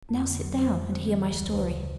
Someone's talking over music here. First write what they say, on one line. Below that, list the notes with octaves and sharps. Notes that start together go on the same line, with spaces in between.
Now sit down and hear my story.
F2
D3
F#3
F2 C5
F2
D3
E3
D2
D2
C5
C#3 B4